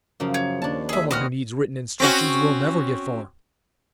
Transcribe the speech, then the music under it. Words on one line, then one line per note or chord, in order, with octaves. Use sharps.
Someone who needs written instructions will never get far.
F#2 C#3 F3 A#3
C#5
D#2 D4 A5
G#4 E5
C4 F#4 B4 D#6 F6
C4 C#4 F#4